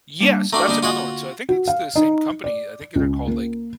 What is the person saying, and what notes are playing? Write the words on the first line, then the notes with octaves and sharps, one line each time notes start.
Yeah, so that's another one, so I think it's the same company, I think that they're called, like
G3 A#3 D4
A3 D4 F#4 A#5
D2 G3 A#3 D4 D#4 D5
F4 F#4 F#5
F#4
F5
D#4
D5
C#2
A#3